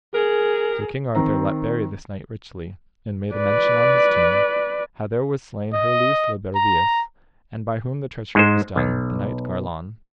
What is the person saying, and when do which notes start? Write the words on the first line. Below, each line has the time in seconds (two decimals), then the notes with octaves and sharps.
So King Arthur let bury this knight richly, and made a mention on his tomb, how there was slain Herlews le Berbeus, and by whom the treachery was done, the knight Garlon.
0.14 G#4 A#4
1.15 D#3 C4 A#5
3.35 B4 D5
5.73 D#5
6.55 A#5
8.35 G#2 G#3 C5
8.76 B1